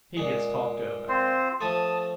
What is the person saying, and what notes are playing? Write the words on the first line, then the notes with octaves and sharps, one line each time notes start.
He gets talked over.
A#2 G#3
C4 F4 C5
F3 A3 A5 D#6